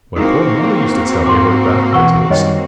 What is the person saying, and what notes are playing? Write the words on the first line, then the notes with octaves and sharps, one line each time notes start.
My poor mother used to tell me about that business.
A#3 C4 D#4 E4 F#4 G#4 A#4 D#6
G#2 C6 D6
B2 E3 F#5 C#6 E6
F#2 D#3 G3 C#5 D#5 G5